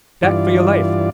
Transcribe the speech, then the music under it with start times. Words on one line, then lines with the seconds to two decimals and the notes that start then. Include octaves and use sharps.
"Back for your life!"
0.23 G2 E3 F4 D5